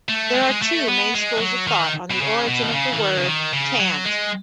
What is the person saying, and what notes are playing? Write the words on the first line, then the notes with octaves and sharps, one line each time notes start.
There are two main schools of thought on the origin of the word "cant".
A3
G#3
A3
G#3
A3
B3
G#3
E3
F#3
D#3
B2
C#3
B2
D#3
C#3
E3
D#3
C#3
D#3
C#3
F#3
G#3